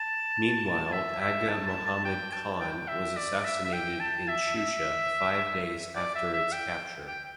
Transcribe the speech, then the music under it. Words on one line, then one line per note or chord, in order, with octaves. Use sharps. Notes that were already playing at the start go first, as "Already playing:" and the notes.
Meanwhile Agha Mohammad Khan was assassinated in Shusha five days after its capture.
Already playing: A5
E5
E5
A5
A5
A5
G5
A5
G5
E5
D5
E5
E5
G5
A5
E5
E5
D5
E5
E5
G5
G5